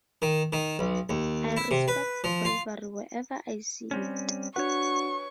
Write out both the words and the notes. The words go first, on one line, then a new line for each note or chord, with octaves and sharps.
I respect bravery wherever I see it.
D#3
D#3
B1
D#2
E4
C3
B4
F3
F4
G3 C4 C#4
D4 F#4 B4 C#5 F#5 C#6